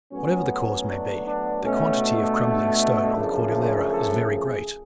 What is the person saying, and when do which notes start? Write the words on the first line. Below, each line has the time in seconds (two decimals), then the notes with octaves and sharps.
Whatever the cause may be, the quantity of crumbling stone on the Cordillera is very great.
0.12 A2 F#3 B3 C#4
0.50 C#4
0.87 D4
1.25 D4
1.63 B2 A3 C#4
2.01 D4
3.14 F#2 C#3 F3 A3
3.90 A4
4.28 G#4